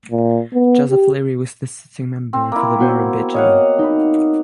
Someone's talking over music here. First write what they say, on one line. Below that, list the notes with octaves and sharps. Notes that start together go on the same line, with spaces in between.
Joseph Leary was the sitting member for The Murrumbidgee.
A#2
B3
G4
C4
A#3 E4
B3 F#4 C5
C#5 D#5 F5 F#5
D#4 B5